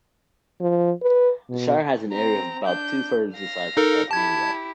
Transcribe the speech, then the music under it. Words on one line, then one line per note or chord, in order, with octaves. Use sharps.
The Shire has an area of -about two-thirds the size of Tasmania.
F3
B4
B2
C4 A#5
D4 G6
F5 A#6
D#4 A4 A#4
E4 G4 A5 G#6